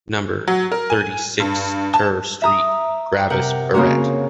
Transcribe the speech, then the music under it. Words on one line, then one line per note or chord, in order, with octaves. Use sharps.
Number thirty-six TER street, Gervais Barret.
F#3
A#4
G#5
G2
A5
E5 A#5 D#6
C3 A#4 F#5 G5
C#3 A#3 C4 C#4 F#4 A#4